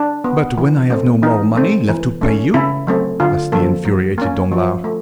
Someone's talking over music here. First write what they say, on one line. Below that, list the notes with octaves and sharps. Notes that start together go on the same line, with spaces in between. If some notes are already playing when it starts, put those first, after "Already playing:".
"But when I have no more money left to pay you?" asked the infuriated Danglars.
Already playing: D4
B3
E3
A3 C4
E3 D#4
A3 C4
E3
A3 C#4
C#3 E4
F#3 A3 C4
D3 F4
F3 A#3 A4
F#3
A#3 C#4
F3
A3